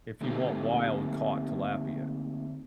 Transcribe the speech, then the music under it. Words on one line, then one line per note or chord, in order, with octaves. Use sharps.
if you want wild-caught tilapia,
D3 A3 A#3 C4 D#4 G4